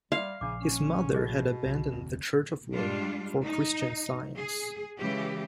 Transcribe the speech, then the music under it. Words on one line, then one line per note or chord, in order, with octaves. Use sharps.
His mother had abandoned the Church of Rome for Christian Science.
G3 D5 F5 C6
A#1 C#3 D4 D6
C#4
B2 G4 G#4 D#5
C2
F1 D2 C4
G2 G3 G#3 D4 F4
D#4
G#4
C#3 E3 G#3 G4